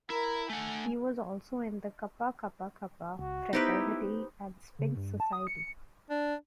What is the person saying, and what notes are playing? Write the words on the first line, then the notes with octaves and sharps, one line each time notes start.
He was also in the Kappa Kappa Kappa fraternity and Sphinx Society.
E4 A#4
A3 F#5 G#5
C#2 F#4
B3 D#4 E4 G4 B4 C5
C#3
G2
A5
D#6
C#7
D4